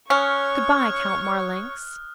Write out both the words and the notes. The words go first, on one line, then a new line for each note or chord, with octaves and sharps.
"Good-bye, Count Marlanx."
C#4 C#5 C#6 D#6 F6 F#6